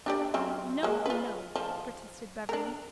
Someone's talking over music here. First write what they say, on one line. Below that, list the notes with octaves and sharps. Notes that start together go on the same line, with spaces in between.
"No, no!" protested Beverly.
D4 G4 D5
F#3 C4 C#4
G#3 A#3
F4 B4
F3
D4 A#4